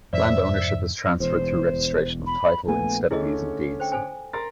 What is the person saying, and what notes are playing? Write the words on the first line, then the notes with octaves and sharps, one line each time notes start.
Land ownership is transferred through registration of title instead of using deeds.
F2 G#2 C3 C5 D5 E5
E1 E2 C5
B5
A#1 A3 B3 G#5
D3 A3 C#4 E4 G#4 D#5
C5 G5
A4 C5 G#5
A#4 C6 A6